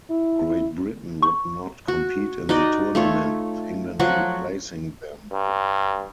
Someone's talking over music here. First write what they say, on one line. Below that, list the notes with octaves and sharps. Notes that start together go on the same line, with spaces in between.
Great Britain would not compete in the tournament, with England replacing them.
E4
C#6
F#4
D#4 F#4 D5 D#5
A3 F4 C#5
F3 F#3 F#4 F#5
G2